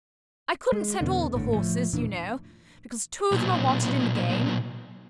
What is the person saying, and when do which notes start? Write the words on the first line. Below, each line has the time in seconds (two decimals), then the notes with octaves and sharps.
'I couldn't send all the horses, you know, because two of them are wanted in the game.
0.72 G#3
1.01 E2 B2 D3
1.34 G#1 A2 D3
1.53 A2 F3 A3
1.93 E1 A#2 E3 D4
3.32 B1 A#2